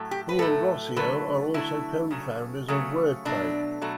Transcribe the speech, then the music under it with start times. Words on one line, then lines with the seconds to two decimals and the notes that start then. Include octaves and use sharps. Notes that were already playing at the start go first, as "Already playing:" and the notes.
He and Rossio are also co-founders of Wordplay.
Already playing: A2 F#3 A3
0.11 G4
0.29 B4
0.39 A2 F#3 A3 A4
0.96 D3 F#3 A3 B4
1.54 D3 F#3 A3 E4
2.11 C#3 F#3 A3
2.68 C#3 F#3 A3
3.25 B2 F#3 A3 D4
3.82 B2 F#3 A3